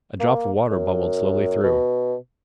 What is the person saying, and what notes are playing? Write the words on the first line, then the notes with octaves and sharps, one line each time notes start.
A drop of water bubbled slowly through.
A#3
F#2
B2